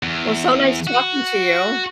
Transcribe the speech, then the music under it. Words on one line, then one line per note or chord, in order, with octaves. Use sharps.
Well, so nice talking to you.
E2
F#4